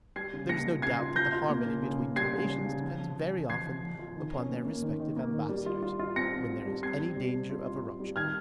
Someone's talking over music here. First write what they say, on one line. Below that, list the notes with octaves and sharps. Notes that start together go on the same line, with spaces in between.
There is no doubt that the harmony between two nations depends very often upon their respective ambassadors, when there is any danger of a rupture.
G3 G#6 C7
C#3
A#3 A#6 C#7
F4
C#3 G#6 C7
F4
F4 G6 A#6
F4
A#3
C#3
C#3
A#3
G3 G#6 C7
C#3
C#3
C#3
F3
F3
F3
F3
F3 G#6 C7
F3
F3
F4
D#3
C#4
A#3
A#3
D#3
D#3
A#3
D#3
G3
F4
F4
F4
C4 A#6 C#7
C4
F4
G3
C4 G#6 C7
C4
G3
C4
F4
F4
F4
G3
D#3 F6 G#6